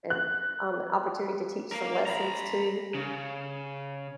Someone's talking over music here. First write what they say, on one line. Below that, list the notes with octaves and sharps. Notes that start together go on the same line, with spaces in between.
and, um, an opportunity to teach some lessons too.
F#6
A#4 F5
A#5 B5
C#3